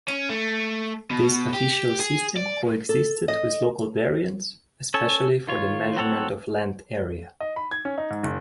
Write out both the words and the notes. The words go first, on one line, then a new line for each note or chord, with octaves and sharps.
This official system coexisted with local variants, especially for the measurement of land area.
C#4
A3
B2
G4
G#4
D5
A4
D#5
C#4 A4 C#5
D#3 F4 C#5
F#3 C4 A4 C#5 F#5
D#5
B5
G#6
C#4
D#4
G#2
F#1